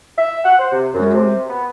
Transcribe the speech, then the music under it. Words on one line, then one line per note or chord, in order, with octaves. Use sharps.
I know.
E5
F#5
C5
C3
F#2
C3
B3